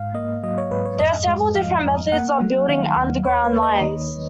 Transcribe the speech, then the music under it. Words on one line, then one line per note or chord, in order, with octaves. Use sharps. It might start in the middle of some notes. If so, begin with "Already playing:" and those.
There are several different methods of building underground lines.
Already playing: G#2 F5
A#3 D#5
F#3 D#5
C#5
G#2 B4
C#5
F2 D#5
G#3
F3 F5
F2
A#3 F#5
F#3
D#3 F5
D#2
D#2 C#5
B4
A#3
D#5
D#3